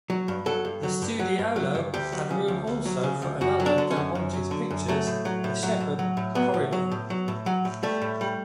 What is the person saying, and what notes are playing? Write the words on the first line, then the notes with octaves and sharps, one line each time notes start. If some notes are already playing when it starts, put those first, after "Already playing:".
The studiolo had room also for another of Del Monte's pictures, the Shepherd "Corydon".
F#3
G2
F#3 A4
G2
F#3
G2
F#3
G2
F#3
G2
D2 G4
F#3
C#3
D2
D2
F#3
C#3
D2
F#2 F#4
F#3
D4
D3
C#4
F#2
F#2
F#3
D3
F#2
F#3 A3
A2
F#3
A2
F#3
A2
F#3
A2
F#3 B3
A2
F#3
A2
F#3
A2
F#3
A2
G3 A3
A2
G3